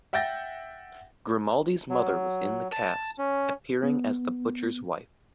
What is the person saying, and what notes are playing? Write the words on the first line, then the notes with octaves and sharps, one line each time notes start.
Grimaldi's mother was in the cast, appearing as the Butcher's Wife.
E5 F#5 G5 G6 A6 A#6
F#3
A5
C#4
B3